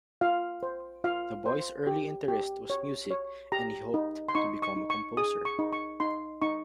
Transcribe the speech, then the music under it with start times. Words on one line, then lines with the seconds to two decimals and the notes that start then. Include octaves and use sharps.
The boy's early interest was music and he hoped to become a composer.
0.21 F4 F5
0.63 C5
1.04 F4 F5
1.46 C5
1.87 G4
2.28 G4
2.70 C#5
3.11 C#5
3.52 G4 A#5
3.94 D#4
4.29 C6
4.35 D#4 C#6
4.62 C#6
4.76 D#4
4.90 C#6
5.17 G#4 D#6
5.45 C#6
5.59 D#4
5.73 C#6
6.00 D#4 C6
6.42 D#4 C#6